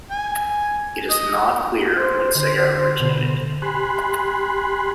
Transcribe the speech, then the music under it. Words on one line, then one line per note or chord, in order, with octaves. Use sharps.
It is not clear when sega originated.
G#5
D#5
C5
D3 D#5 G#5
B2 D3 B3
G4 G#5 B5 C6 F#6